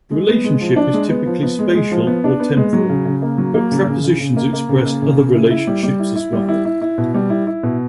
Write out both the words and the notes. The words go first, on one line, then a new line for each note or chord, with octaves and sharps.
The relationship is typically spatial or temporal, but prepositions express other relationships as well.
G#3
B3
G#3
F3
D4
G#3
B3
F3
B3
G#3
G#3
F3
B3
D4
B3
G#3
F#3
C#3
C#3
A#3
F#3
A#3
C#3
C#3
C#3
C#3
A#3
A#3
C#3
A#3
C#3
C#3
E4
E4
G3
G3
E4
E4
G3
E4
E4
E4
B2
G3
E4
E4
B2